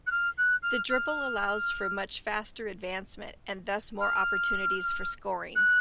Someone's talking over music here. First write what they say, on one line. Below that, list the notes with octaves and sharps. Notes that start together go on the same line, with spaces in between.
The dribble allows for much faster advancement and thus more opportunities for scoring.
F#6
F6
F#6
F6
F6
F6
F#6